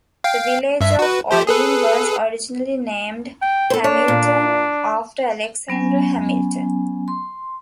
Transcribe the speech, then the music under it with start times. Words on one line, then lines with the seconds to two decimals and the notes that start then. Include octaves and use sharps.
The village of Olean was originally named "Hamilton", after Alexander Hamilton.
0.24 F5 G5
0.81 G2 E5
0.99 F#4 B4
1.31 F3 G4 C5
1.47 G#4 A4 B4
3.42 G5
3.70 A4 C5
3.84 D4 C#5
4.08 A#2
5.68 F#3 B3 C#4 G#5
7.08 C6